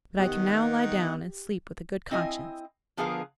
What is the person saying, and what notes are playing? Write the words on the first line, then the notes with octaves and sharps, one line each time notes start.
"But I can now lie down and sleep with a good conscience."
D#3 B3 G4 D#5 F#5
C4 E4 D#5 G#5
D3 F3 B3 G#4 A#4 F5